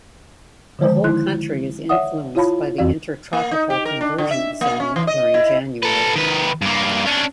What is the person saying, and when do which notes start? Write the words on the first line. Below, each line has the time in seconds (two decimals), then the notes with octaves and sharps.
The whole country is influenced by the Intertropical Convergence Zone during January.
0.79 D3 D#3 F3 G#3 C5 D5
1.04 D#4 E4 C6 F#6
1.89 C#5 D5 E5 F#5 D#6
2.35 E4 F4 C#5 F5 A5 B5
2.78 F2 E3 C4 F#4 D5 F5
3.33 A#3
3.51 D#4
3.70 G4
3.85 A#4
4.01 D4
4.18 D3
4.31 E5
4.61 A#3
4.80 C#4
4.96 E3
5.07 D#5
5.34 E4
5.83 A4 B4
6.16 D#3 B4
6.62 G2 A#3
7.05 C#4 D4